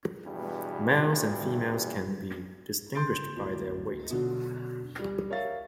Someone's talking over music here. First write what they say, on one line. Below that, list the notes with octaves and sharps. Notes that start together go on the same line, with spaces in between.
Males and females can be distinguished by their weight.
E2 G2 B2
C6 G6 A6 D7
D1
B2 D3 F#3
G3
A#4 C#5 E5 F5 A6